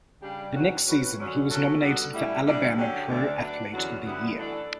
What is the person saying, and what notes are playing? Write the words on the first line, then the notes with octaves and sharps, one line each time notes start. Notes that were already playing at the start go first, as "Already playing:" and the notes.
The next season, he was nominated for Alabama Pro Athlete of the Year.
C#3 G3 D4 G4
E2 B2 F#3 C#4 F#4
F#3 C#4 F#4 B4
F#2 D3 F#3 C#4
F#3 C#4 F#4 A4
D3 G3 B3 F#4 A4
A2 G3 C#4 E4
D3 G3 D4
D3 F#3 C#4 G4
D2 D3 A3 D4
F#3 B3 D4
E2 D3 F#3 C#4 F#4
F#2 D3 G3 B3 E4
E3 A3 D4 A4